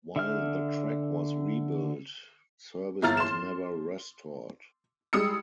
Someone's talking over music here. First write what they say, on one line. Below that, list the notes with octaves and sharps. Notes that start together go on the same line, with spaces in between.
While the track was rebuilt, service was never restored.
D3 E5 F6
G1 E4 F4 A#5 F6 A6
C6 E7
G3 G#3 D#6 E6 C#7